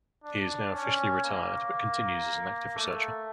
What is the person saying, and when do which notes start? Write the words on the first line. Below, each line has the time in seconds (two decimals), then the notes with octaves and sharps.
He is now officially retired, but continues as an active researcher.
0.24 D4
0.74 C#4
1.24 A#3
2.76 A3